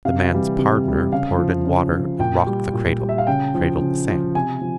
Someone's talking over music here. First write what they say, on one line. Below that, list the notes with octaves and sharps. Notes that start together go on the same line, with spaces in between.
The man's 'pardner' poured in water and rocked the cradle--cradled the sand.
C3 F5
E3 G3
C3
E3 G3
C#3 F5
F3
C#3
F3
A#2 G5
G3
A#2
G3
E5
F5
C#3 G5
F3
C#3
F3
C3 G#5
F3